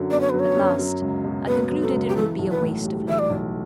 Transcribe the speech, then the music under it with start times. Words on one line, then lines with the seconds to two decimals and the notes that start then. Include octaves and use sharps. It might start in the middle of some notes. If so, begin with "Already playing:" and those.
At last I concluded it would be a waste of labour.
Already playing: F#2 D3 F#3
0.11 B3 D5
0.21 C#5
0.30 F#3 B4
0.39 C#5
0.57 F#2
0.79 F#3
1.02 C#2
1.25 B2
1.47 B3 B4
1.70 F#3
1.82 A4
1.93 C#2
2.09 G4
2.16 E3 A4
2.39 B1
2.50 B4
2.61 A2
2.84 G3
3.07 E3 E5
3.19 D5
3.30 B1